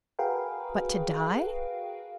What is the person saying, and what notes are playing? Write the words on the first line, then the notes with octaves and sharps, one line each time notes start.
But to die?
F#4 G#4 A#4 B4 F5 G5